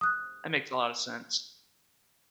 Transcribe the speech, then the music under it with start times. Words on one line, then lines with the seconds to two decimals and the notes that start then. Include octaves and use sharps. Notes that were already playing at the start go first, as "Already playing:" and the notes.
That makes a lotta sense.
0.01 D#6 F#6